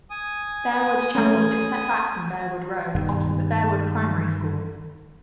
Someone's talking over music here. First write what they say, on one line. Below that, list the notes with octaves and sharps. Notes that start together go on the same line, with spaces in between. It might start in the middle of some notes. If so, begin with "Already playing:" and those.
Bearwood Chapel is set back from Bearwood Road opposite the Bearwood Primary School.
G#5 D#6
A3 C#4
G2 B2 D#3 G3